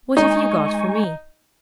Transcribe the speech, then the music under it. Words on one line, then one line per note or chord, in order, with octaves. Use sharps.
What have you got for me?'
G#3 D#4 G#5 C#6